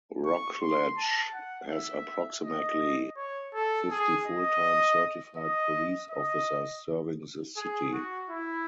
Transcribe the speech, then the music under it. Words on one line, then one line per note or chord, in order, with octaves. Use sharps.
Rockledge has approximately fifty full-time certified police officers serving the city.
C#6
C6
A5
F#5
E5
D#5
C#5
A4
G#4
D#5
D#5
D#5
G#4
F#4
E4